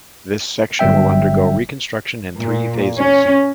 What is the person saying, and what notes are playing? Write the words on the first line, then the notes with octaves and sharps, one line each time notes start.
This section will undergo reconstruction in three phases.
G1 F#3 G3 E5 G5
A#2
C#4